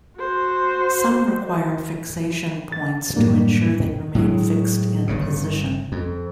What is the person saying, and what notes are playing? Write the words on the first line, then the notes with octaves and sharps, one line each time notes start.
Some require fixation points to ensure they remain fixed in position.
F#4 C5
A6
F#2 A2 G3 A#3 D4
A2 F#3 G#3
G1 G2 C#3
F2